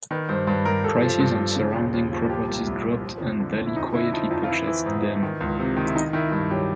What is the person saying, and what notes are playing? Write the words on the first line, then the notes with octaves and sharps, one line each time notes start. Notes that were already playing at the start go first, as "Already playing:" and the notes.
Prices on surrounding properties dropped and Daly quietly purchased them.
D#3 B4
G2 C5
G2 B4
G2 A#4
G2 A4
F3
G2
F3
C#3
D#2
D#2
F3
A#2 G4
C2
C2
A#2
F3
F2
D3
F2
E4
F2 D#4
D3 E4
F3 D#4
F2 D#4
F4
E3 E4
E3
G#2
E3
D#3
C#2
C3
D#3
E4
D#3 D#4
D#3 E4
G2 E4
F#3 G4